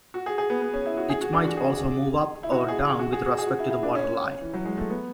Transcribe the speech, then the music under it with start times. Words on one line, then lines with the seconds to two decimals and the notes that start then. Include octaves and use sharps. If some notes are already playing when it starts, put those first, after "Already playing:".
It might also move up or down with respect to the water line.
0.14 F#4
0.26 G#4
0.38 G#4
0.50 B3
0.62 B3
0.74 C#4
0.86 E4
0.97 F#4
1.10 G#4
1.21 F#4
1.33 D4
1.44 F#4
1.57 G#4
2.43 E4
2.52 F#4
2.68 G#4
2.99 F#4
3.13 G#4
3.26 F#4
3.38 G#4
3.47 F#4
3.59 E4
3.71 E4
3.83 D4
3.95 C#4
4.41 E3
4.54 F#3
4.65 G#3
4.78 A3
4.90 B3